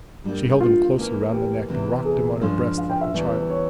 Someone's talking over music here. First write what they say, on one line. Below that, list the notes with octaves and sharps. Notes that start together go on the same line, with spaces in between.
She held him closer round the neck, and rocked him on her breast like a child.
G2 G3 A#3
F4
E2 E3 A#3 C#4
G4
E2 C3 E3
G#4
G2 F3 G#3 C#4 F4
F5
G5
E5
E2 E3 G3 C#4
C#5